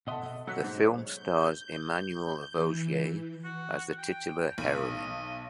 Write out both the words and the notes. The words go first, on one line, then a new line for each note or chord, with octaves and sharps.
The film stars Emmanuelle Vaugier as the titular heroine.
B2 A4 D#5 E5 F#5 C6
F#3 A4 F#5 F#6 B6
G#2 C5
G#3 C#5
G6
E3
F#4
G5
B1 D#7
D#5